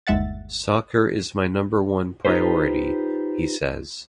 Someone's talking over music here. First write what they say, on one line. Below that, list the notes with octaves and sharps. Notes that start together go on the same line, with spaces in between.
"Soccer is my number one priority," he says.
G1 D#2 G#3 E5 F#5 A6
D#4 F4 G4 B4 C5